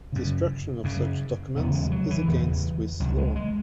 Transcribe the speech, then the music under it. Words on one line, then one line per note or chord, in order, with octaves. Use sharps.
Destruction of such documents is against Swiss laws.
F#2 C#3
F#2 C#3
E2 C#3 B3
G#3
F#3
E3
E2 C#3
C#2 C#3 F#3
G#3
G#3